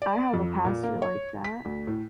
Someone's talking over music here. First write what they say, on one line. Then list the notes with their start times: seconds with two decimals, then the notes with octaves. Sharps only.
I have a pastor like that.
0.02 D5
0.34 F2
0.65 A#2
0.83 A#3
1.02 C#5
1.44 B6
1.65 D2
1.87 A2